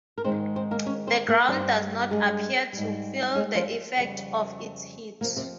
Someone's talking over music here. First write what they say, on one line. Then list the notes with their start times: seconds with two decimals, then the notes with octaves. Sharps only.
The ground does not appear to feel the effect of its heat.
0.18 A#4
0.24 G#2 D#3 G#3 C4 C5
0.56 C4 C5
0.71 A#3 A#4
0.86 C#4 C#5
1.07 C4 C5
1.28 A#3 A#4
1.49 G2 G3 C4 C5
2.11 G#3 G#4
2.73 G#2 G3
3.35 G#3 G#4
3.55 F3 F4
3.97 F2 C#3 G3
5.21 F2 C3 F3 A#3
5.36 C3 C4